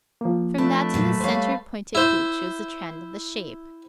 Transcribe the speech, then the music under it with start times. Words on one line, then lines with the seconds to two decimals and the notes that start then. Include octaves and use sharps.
From that to the centre-pointed hoop shows the trend of the shape.
0.21 F3 A#3
0.58 F3 A3 C4 D4 B4
0.94 A#2 F#3
1.20 G3 C5 C#5 F5
1.95 E4 C5